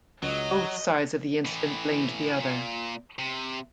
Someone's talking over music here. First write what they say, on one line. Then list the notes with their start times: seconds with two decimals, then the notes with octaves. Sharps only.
Both sides of the incident blamed the other.
0.22 C#2 F#3 D#5
1.45 A2 E3
2.39 A#2
3.19 C3